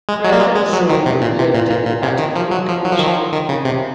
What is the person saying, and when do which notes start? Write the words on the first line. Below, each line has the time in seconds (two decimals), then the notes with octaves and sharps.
Fred Zinn lived in Battle Creek, Michigan.
0.09 G#3
0.24 F#3
0.32 A#3
0.40 G#3
0.56 G#3
0.73 F#3
0.90 D#3
1.06 C3
1.21 A#2
1.38 C3
1.54 A#2
1.70 A#2
1.86 A#2
2.03 C3
2.19 D#3
2.36 F3
2.51 F#3
2.68 F3
2.84 F#3
2.91 F3
2.99 D#3
3.07 F3
3.32 D#3
3.49 C#3
3.65 C3